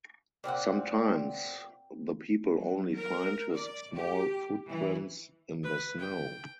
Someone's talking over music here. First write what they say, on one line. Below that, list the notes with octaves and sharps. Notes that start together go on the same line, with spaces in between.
Sometimes the people only find his small footprints in the snow.
A#2 C4 E4 F#5
F#3
A#4
D5
G4
E3
B4
G5